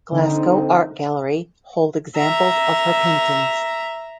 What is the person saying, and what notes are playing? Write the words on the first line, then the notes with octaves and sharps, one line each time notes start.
Glasgow Art Gallery hold examples of her paintings.
D3 C4 D#4
E5 A#5